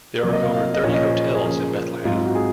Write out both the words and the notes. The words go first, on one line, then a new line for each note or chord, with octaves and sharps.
There are over thirty hotels in Bethlehem.
C3 F#3 A#3
D#5
F5
F5
D#5
A#2 F3 A#3 C#4 C#5
D#5
C5
G#4
C#3 F3 A#3 C#4
G#2 F#3 C4 F4
F4
F#4
G#4